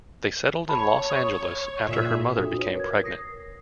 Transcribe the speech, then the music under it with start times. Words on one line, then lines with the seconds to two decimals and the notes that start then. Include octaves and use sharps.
They settled in Los Angeles after her mother became pregnant.
0.69 C#5 A5 B5
1.10 C#6 D#6
1.88 A#2 G#4 E5
2.36 D4 F4 F#4 A4 D#6
2.58 B4 C#5
2.75 A#4 G#6
3.04 D#6 A#6 C7